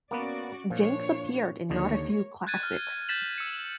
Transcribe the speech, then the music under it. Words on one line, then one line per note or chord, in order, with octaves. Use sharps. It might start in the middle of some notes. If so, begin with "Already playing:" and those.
Jenks appeared in not a few classics.
A#3 B3 C#4 F#4 B4 D5
A#2 F3 D4 C#5
D#2 D3 A#3 C#5 D#5
F#6 G#6 A6 D#7
F6
F#6 G6 A6 B6 E7 F#7
E6 C#7